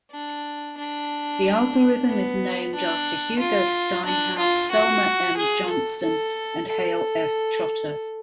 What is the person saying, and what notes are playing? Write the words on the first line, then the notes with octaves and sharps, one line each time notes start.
The algorithm is named after Hugo Steinhaus, Selmer M. Johnson and Hale F. Trotter.
D4
D4
B3
D4
F4
D4
F4
F#4
G#4
A4
A4
A4